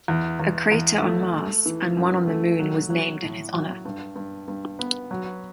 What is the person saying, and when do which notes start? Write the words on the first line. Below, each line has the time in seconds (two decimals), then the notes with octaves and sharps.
A crater on Mars and one on the Moon was named in his honor.
0.08 E2
0.40 E2
0.72 E2
1.02 A3
1.33 A3
1.66 E3
1.97 F#2
2.27 A3
2.59 F#3
2.90 F#3
3.22 A2
3.53 F#3
3.85 G2
4.16 G2
4.48 G2
4.79 B3
5.11 F#3